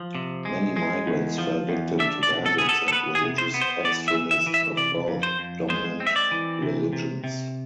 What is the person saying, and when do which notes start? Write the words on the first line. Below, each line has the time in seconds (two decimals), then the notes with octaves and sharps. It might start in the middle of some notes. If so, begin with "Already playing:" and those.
Many migrants fell victim to bandits and religious extremists of both dominant religions.
Already playing: F3
0.15 C3
0.45 G#3
0.76 G#3
1.07 E2
1.38 F3
1.69 E2
1.99 D4 E5
2.23 D5
2.30 B2
2.46 A4
2.58 B3 G#4
2.69 A4
2.88 A4
2.92 B3 B4
3.15 G#4
3.23 C3
3.38 C5
3.54 B3
3.61 C5
3.84 E2 D5
4.08 E5
4.15 E3
4.31 E5
4.46 E3
4.54 E5
4.77 C3 D5
5.08 F2
5.23 C5
5.39 F2
5.69 G#3 C5
6.00 C4
6.07 E5
6.16 D5
6.31 E3
6.62 C3
6.93 C3
7.24 C3